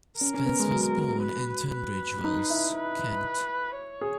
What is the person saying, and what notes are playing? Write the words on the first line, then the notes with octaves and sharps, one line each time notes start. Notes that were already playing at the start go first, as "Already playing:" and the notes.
Spence was born in Tunbridge Wells, Kent.
C#4 A#4
C#4
B3
G#3
F#3
B4
B4
D#4
E4
B4
C#5
G#4